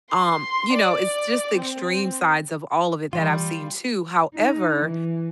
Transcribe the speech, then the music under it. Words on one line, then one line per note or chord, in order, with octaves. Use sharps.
um, you know, it's just the extreme sides of all of it that I've seen too. However,
C6
D5
C4
E3 G3 F4
D#4
E3